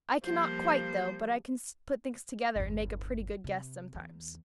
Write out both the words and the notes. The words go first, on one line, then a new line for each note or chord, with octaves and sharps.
"I cannot quite, though; but I can put things together and make a pretty good guess, sometimes."
F3 G3 A#3 C5
G1 E2
C3
E2